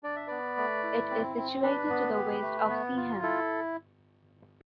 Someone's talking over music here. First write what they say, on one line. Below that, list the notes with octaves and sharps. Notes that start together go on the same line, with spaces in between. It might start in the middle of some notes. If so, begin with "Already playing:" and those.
It is situated to the west of Seaham.
D4 D5
E5
B3 B4 D5
A3
E4
C4
C4
D4 B4
B3
G4
A3
B3
F4
E4 A4